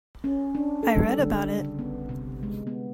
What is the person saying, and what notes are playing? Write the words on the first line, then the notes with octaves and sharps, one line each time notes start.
I read about it.
C#4
D4
A4
G3
D3
C#3
B3
C3
G#3
B3